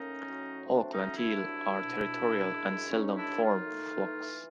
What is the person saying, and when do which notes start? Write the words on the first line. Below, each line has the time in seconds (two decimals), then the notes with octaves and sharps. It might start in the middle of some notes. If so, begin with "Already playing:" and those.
Auckland teal are territorial and seldom form flocks.
Already playing: A2 A#3 C#4 D#4
0.29 F#3
0.66 A3 C4 D4
0.91 C#4 D#4
1.04 F#3
1.16 D4 E4
1.41 C2
1.78 B2
2.16 F#2
2.54 G#3
2.91 F#2 C#4 D#4
3.16 D4 E4
3.29 D#3
3.41 D#4 F4
3.66 A3
4.04 E3